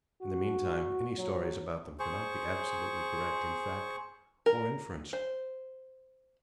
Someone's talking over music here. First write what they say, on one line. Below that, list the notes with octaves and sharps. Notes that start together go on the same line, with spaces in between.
In the meantime, any stories about them cannot be absolutely correct in fact or inference.
F#4
F#3
G#4 C5 C#6
A#4
C5